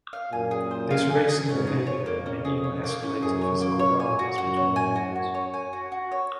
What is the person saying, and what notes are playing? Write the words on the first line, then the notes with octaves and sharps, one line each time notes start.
This racing behavior may even escalate to physical violence between the males.
F5
F#2 A#2 G#5
G#4
C5
F5
G#5
G#4
F2 G#2 C#4
G#4
C#5
F2 A#3
C#4
G#4
C#5
A#3
C#4
F#2 G#4
C#5
A#3
C#5
G#5
F#4
F#2 F#4
C#5
G#5
F#4
F#4
C#5
G#5
F#4
F#4
C#5